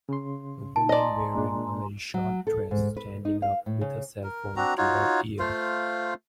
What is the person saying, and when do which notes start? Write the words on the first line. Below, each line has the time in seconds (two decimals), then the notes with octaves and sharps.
A woman wearing a very short dress standing up with her cellphone to her ear.
0.09 C#3 C6
0.76 D#4 A5
0.89 D5 D#5 G#5 A#5 C6
1.35 A#2 G#3 D4
2.14 F#3
2.47 A4
2.71 G#2
2.97 B4
3.25 D#4
3.42 F5
3.66 A2
3.81 C#3
4.23 A#4
4.56 C4 D4 F#4 A#5
4.78 D#4 F4 F#4 C#5
5.39 A3 F4 C5 F5